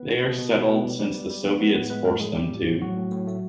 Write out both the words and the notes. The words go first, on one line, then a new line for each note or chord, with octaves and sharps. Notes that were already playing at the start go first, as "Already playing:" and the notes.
They are settled since the soviets forced them to.
Already playing: B3 B4
B2
B2
B2
B2 B3 B4
B2
G3
G3
G3
G3
F3 B3 B4
F3 B3 B4
A#4
A2 B3 B4
G#3 B3 B4
A2 A#3 A#4
F3 G#3 G#4
F3 G3 G4
A2
F3
A2 F#3 F#4
A2
A2
A3